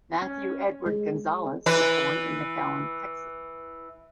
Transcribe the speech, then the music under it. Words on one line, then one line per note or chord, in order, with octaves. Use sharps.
Matthew Edward Gonzalez was born in McAllen, Texas.
C#4
G#3
E3 B4